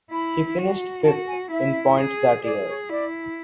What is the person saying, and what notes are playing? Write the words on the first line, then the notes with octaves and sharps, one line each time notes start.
He finished fifth in points that year.
E4 B5
F#4
F#4 A5
G#5
E4 E5
G#4
G#4 D5
C#5
E4 D5